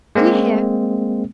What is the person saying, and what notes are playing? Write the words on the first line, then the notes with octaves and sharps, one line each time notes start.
Do you hear?
G#3 A#3 C4